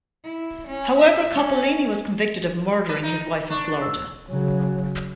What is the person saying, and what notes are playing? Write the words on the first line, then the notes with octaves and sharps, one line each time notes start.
However, Coppolino was convicted of murdering his wife in Florida.
E4
C#4
E5
C#4
D4 B4
D#4
D4 C#6
E6
C#3 F#3